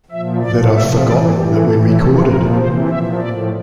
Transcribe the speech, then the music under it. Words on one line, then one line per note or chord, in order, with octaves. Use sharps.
That I've forgotten that we recorded.
A#2 F3 E5
A2 F3 D5
C3 F3 E5
A2 E3 D5
A2 E3 G4
A2 E3 A4
C3 F3 A4
A#2 F3 A#4
C3 E3 C5
A#2 F3 E5
A2 F3 D5